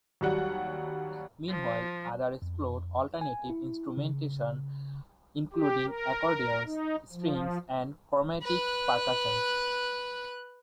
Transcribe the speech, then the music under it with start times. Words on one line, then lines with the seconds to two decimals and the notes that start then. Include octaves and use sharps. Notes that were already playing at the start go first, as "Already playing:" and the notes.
Meanwhile, others explored alternative instrumentation, including accordions, strings and chromatic percussion.
0.21 D#2 F#3 G3 F#5
1.49 F3
2.42 F2
3.21 G#5
3.50 E4
3.97 C#3
5.53 G4
5.87 A#4
6.66 D#4
7.12 F3
8.43 B4 F#6